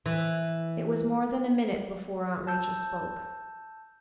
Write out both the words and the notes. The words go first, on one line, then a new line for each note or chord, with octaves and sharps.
It was more than a minute before Aunt Rachel spoke.
E3
A5 E6 G6